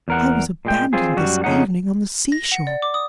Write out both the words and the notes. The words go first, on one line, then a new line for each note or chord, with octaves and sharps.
"I was abandoned this evening on the sea-shore."
E2 A#4 F#5
A#2 G#3 G5
C4 F4 G#4
F#2 G3 F#4
F2 C#3 B3 C#4 D#4 F#5
A#6
F#5
D5
D6
D#6